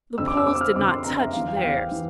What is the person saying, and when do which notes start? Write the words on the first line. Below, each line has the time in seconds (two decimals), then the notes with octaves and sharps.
The Poles did not touch theirs.
0.17 F2 D3 E6
0.28 D6
0.37 E6
0.46 F2 D3 D6
0.55 E6
0.61 F6
0.75 F2 D6
0.79 D3
0.90 C6
1.04 F2 D3 A#5
1.20 E5
1.33 E2 E3 F5
1.48 F5
1.56 G5
1.63 E2 E3 F5
1.92 E3